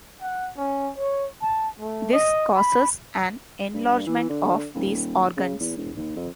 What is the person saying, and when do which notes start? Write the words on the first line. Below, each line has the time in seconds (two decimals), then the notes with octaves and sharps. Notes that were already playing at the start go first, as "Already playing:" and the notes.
This causes an enlargement of these organs.
0.22 F#5
0.57 C#4
0.98 C#5
1.42 A5
1.79 A3
2.13 D#5
2.56 B5
3.74 G2
4.06 E3
4.29 D3
4.75 D#1
5.37 C#3
5.60 E2
5.77 E1
5.96 D#2
6.16 F2